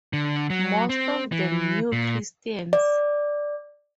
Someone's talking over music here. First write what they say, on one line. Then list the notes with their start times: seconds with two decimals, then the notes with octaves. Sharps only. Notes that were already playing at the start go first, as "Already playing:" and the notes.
Most of them New Christians.
0.13 D3
0.50 F#3
0.90 C4
1.32 E3
1.92 A#2
2.73 D5